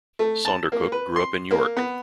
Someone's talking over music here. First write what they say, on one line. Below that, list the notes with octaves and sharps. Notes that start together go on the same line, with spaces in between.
Saundercook grew up in York.
A3
A5
A#3
B4
C6
A#3
B3